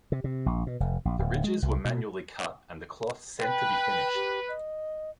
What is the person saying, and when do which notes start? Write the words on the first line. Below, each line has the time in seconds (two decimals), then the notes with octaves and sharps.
The ridges were manually cut, and the cloth sent to be finished.
0.12 C3
0.24 C3
0.46 A#1
0.67 B2
0.80 F1
1.05 A#1
1.19 D1
1.44 G#3
1.62 C2
1.85 B2
3.40 B4 G5
4.15 G4
4.49 D#5